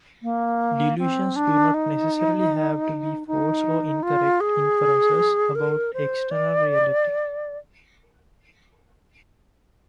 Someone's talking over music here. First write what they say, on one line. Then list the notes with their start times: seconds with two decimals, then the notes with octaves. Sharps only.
Delusions do not necessarily have to be false or 'incorrect inferences about external reality'.
0.23 A#3
0.98 C4
1.36 D4
1.74 D#4
3.27 D#4
4.03 F4
4.40 G#4
5.55 A#4
5.93 C5
6.31 D5